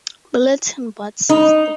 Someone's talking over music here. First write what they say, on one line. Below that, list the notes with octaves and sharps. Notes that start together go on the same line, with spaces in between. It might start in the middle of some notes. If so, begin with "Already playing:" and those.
Bulletin Board System.
D#4